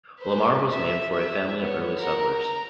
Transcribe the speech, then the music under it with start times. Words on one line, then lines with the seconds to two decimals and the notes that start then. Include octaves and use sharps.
Lamar was named for a family of early settlers.
0.20 B4 C5
0.70 E5
1.14 E5
1.61 B3 C#5
2.00 A#4 F#5
2.32 A#5